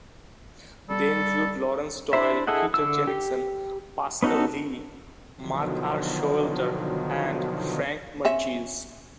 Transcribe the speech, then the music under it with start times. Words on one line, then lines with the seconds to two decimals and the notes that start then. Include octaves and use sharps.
They include Laurance Doyle, Peter Jenniskens, Pascal Lee, Mark R. Showalter, and Franck Marchis.
0.89 G3 A4
2.13 D4 E4 C5 E5
2.47 E4 G#4 A4 D#5 F#5
2.74 D3 E6
3.07 G4
4.23 B3 C#4 D#4 F#4 A4
5.38 B2 D3 D#3 F3 F#3
8.25 C4 C#4 E5